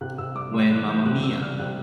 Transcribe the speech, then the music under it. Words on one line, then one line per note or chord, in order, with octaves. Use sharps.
When Mamma Mia!
C3 F#6
C3 E6
G3 D6
G3 C6
E3 F#6
E3 G6
C3 F#6
G3 E6
G3 F6
C3 F#6